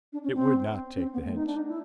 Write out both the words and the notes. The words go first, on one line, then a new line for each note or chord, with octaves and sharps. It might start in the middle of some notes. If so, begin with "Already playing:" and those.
It would not take the hint.
D4
C#4
C4
C#4
C4
B3
A3
D#4
D4
D#4
E4